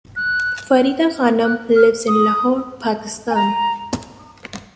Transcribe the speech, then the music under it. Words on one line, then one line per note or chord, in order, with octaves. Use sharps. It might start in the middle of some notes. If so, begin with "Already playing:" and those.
Farida Khanum lives in Lahore, Pakistan.
F#6
F#6
F6
D#6
G#5
A#5